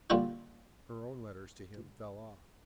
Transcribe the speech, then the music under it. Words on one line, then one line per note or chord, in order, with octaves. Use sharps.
Her own letters to him fell off.
A#2 D3 G3 F4 F#4